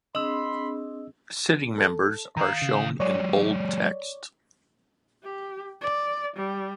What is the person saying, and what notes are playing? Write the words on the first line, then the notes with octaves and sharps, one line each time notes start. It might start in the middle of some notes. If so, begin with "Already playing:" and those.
Sitting members are shown in bold text.
C4 D4 G#4 D#5 B5 C6 E6
A4
D#3 F5 A#5
C#3
F#3 G#3 C#5 D5
G4
D5
G3